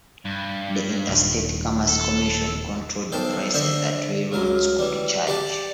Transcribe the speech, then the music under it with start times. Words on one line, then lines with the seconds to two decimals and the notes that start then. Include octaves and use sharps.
The Interstate Commerce Commission controlled the prices that railroads could charge.
0.25 G2
1.09 D#1
1.88 A4
3.12 B1 A4 C5 G5
3.54 D3 C5 D#5 E5
4.32 C#2 F#3 A#4
4.79 E3 G3
5.27 G4 D5 A5